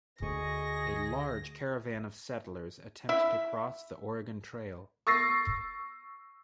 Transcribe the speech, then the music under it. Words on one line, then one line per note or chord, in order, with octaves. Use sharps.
A large caravan of settlers attempt to cross the Oregon Trail.
D2 G#4 D#5 C#6 A#6
E4 E5
C#6 E6 A6 A#6 C7